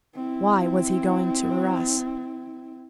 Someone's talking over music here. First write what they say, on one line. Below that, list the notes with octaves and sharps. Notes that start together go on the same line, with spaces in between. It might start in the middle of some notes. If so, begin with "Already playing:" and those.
Why was he going to Arras?
C4 E4